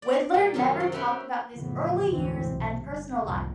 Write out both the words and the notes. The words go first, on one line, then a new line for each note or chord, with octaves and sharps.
Widlar never talked about his early years and personal life.
D5
A#2 G3 A#3
F#2 C3 D#3 F#3 C#4 C#5
C4
C4 C#4 B4 E5 G5 B5
F2 A2 C#3 E3 F3 B3
F1 D2 G#2 D3 E3 C4
B1 C3
G1
C2 F2 G#2 D#3 A#3